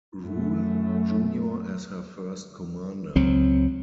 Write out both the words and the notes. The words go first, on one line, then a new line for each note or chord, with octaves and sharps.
Rule, Junior as her first commander.
F#2 A3
C#2 F#3 C4